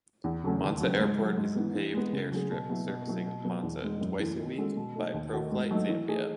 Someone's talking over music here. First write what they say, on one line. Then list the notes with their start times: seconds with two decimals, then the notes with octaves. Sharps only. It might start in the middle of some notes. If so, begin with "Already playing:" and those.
Mansa Airport is a paved airstrip servicing Mansa twice a week by Proflight Zambia.
0.24 E2
0.43 C#3 F#3 A3 C#4
0.62 D#2
0.81 C#3 F#3
1.00 G#2
1.19 F#3 A3
1.37 G#2
1.56 E3 B3
1.75 E3
1.94 G#3 B3
2.13 C#3
2.31 F#3 C#4 G#4
2.51 B2
2.69 F#3 B3 E4
2.88 B2
3.07 F#3 B3 E4
3.26 B2
3.44 F#3 B3
3.63 E2
3.82 B2 G#3 D#4
4.01 F#2
4.20 E3 A3
4.38 D#3
4.58 G#3 C#4 F#4 A4
4.77 B2
4.95 A3 D#4
5.14 D#2
5.33 D#3 A3 D#4 F#4
5.52 G#2
5.71 F#3 A3 D#4 A4
5.89 E3
6.08 A3 D#4 G#4